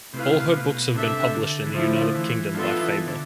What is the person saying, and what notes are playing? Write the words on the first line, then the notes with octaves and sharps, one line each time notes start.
All her books have been published in the United Kingdom by Faber.
C3 A3 E4 B4 F5
C3
B2
C3 D4 A4 E5
D3
E3
D3 F3 A3 E4
E3
F3 B3 D4 F4 A4 E5
E3
D3